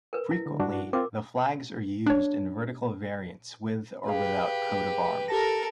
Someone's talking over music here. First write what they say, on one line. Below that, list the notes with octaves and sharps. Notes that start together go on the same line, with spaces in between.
Frequently, the flags are used in vertical variants with or without coat of arms.
A#4 B4
E4
D3
G2 D4 F#4
C4 F4 A#4 D6
D4 C#5
G4 G#4 B4 F5
G4 A4 A#4 A5 A#6